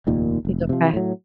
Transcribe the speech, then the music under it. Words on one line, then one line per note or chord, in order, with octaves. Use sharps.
He's okay.
F1 D#2 A#2 D#3
F1
C3 F3
A2 F#3